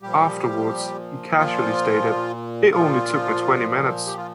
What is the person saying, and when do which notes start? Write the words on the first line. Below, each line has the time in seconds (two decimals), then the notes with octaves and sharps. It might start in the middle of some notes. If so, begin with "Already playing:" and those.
Afterwards he casually stated "it only took me twenty minutes".
0.02 A#2 F3 G3 G4
1.37 F3 F4
2.72 A#2 F3 F4
4.07 G4
4.17 F4